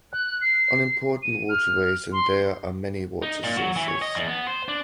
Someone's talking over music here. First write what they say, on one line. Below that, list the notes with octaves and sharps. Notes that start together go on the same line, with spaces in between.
On important waterways and there are many water sources.
F#6
C7
D#7
F6
C6
D#4
A#2
F#3
E3
C#5
D#5
E2
B3
C5
D4